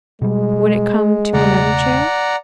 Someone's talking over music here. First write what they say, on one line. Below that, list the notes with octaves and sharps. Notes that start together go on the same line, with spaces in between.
"Would it come to another chair?"
B2 G3 G#3
E1 C#3 A3 D5 F#5 A#5